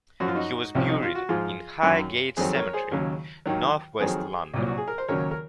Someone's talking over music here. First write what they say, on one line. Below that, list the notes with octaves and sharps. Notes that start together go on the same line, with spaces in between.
He was buried in Highgate Cemetery, northwest London.
F#2 F3 F#4
F4
D#4 F#4
C2 C3 F3 C#4
D#4
F4
F#4
G#2 F3 F4 G#4
F#2 D#3 F#3
F2 D#3 F#3 G#4 C5
A#4 C#5
G#4 C5
D#2 C#3 F#3
D#2 D#3 F#3
F2 D#3 F#3 G#4 C5
C2 A#2 F#3
F#4
G#4
A#4
C5
D#2 C#3 F#3 A#4 C#5
A#4